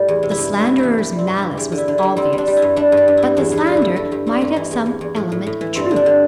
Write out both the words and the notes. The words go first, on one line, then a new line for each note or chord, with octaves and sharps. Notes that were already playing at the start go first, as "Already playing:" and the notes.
The slanderer's malice was obvious; but the slander might have some element of truth.
Already playing: A2 G3
E2
C3
E4
G2 G4
G2
E4
G2
E3 E4
E3 G4
G3
C4
G2
E3 E4
E2 G4
D3
E4
D3
G3 E4
G3 C4
G3
D4
G3
E4
G2
G3 D4
G2
G4
G2
E4
G3
E2 D4
E2
E4
G3
D3 E4
G2 A4
G2 G4
G3 C4
G2 A3
E3
E2
E2
E2
A2
A2
A2
E3
G2 C4
D3
D4
D3